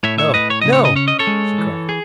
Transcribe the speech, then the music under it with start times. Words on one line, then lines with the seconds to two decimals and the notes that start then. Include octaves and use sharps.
"No, no," she cried.
0.03 A2 C#5 E5
0.18 C#5 E5
0.34 A2 B4 D#5
0.50 C#5
0.61 C#3 D#5
0.73 C#5
0.85 D#5
0.96 C#4 C#5
1.08 D#5
1.19 A4 C#5
1.27 G#3
1.58 E3
1.89 G#4